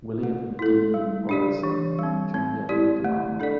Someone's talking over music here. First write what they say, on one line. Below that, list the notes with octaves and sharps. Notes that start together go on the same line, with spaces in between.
William D. Robertson, Junior in command.
A3
E4 A4
G3
D4 G4 D5
E3
G3 C4
C4
E4 G4 D5
A3
D4 A4 D5